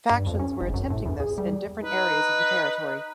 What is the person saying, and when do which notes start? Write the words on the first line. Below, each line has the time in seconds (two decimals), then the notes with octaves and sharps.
Factions were attempting this in different areas of the territory.
0.11 G2
0.26 F2
0.39 C#4
0.62 G#1
0.74 F#2
0.90 A2
1.06 E2
1.20 G#4
1.38 G3
1.83 D#4 B4